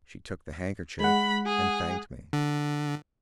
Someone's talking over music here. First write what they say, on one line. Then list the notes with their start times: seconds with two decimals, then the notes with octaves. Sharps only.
She took the handkerchief and thanked me....
1.00 G#3 F#5 B5
1.46 G#4
2.33 D3